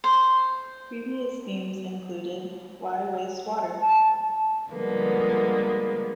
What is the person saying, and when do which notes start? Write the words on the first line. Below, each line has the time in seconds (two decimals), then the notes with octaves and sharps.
Previous themes included: 'Why waste water?
0.04 C5
3.82 A5
4.70 D3 F3 G3 G#3 A#3 B3